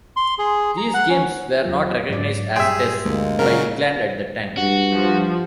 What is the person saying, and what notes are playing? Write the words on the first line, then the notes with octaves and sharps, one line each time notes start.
These games were not recognised as Tests by England at the time.
C6
G#4
A#5
F#5
C#4
E2 F#3 F4
G#2 F#3 D5
G2 G4 G#4 E5 G5 C6
D2 G#3 A#3
C#3 F#3 A#4
G2 F#4
F3